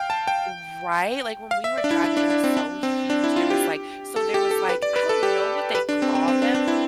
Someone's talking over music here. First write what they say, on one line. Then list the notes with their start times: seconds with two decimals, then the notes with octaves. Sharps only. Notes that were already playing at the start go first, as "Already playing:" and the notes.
Right, like, when we were driving, it was so huge, there was, like so there was, I don't know what they call them,
Already playing: F5 G5
0.10 A5
0.28 G5
1.51 F5
1.64 E5
1.78 D5
1.84 D4
1.91 E4
2.04 E4
2.17 D4
2.30 D4
2.44 C4
2.57 D4
2.83 C4
3.10 D4
3.24 E4
3.36 F4
3.50 G4
4.16 A4
4.34 G4
4.51 A4
4.69 B4
4.82 D5
4.96 B4
5.09 A4
5.23 G4
5.75 B4
5.89 D4
6.02 C4
6.15 C4
6.28 C4
6.42 D4
6.55 D4
6.68 E4